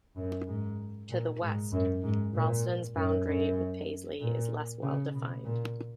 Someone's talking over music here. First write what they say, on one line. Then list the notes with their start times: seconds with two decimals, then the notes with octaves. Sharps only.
To the west, Ralston's boundary with Paisley is less well-defined.
0.16 F#2
0.47 G#2
1.10 A#2
1.41 G#2
1.72 F#2
2.03 G#2
2.34 A#2
2.96 F#2
3.27 F#2
4.20 A#2
4.82 C#3
5.14 B2
5.44 A#2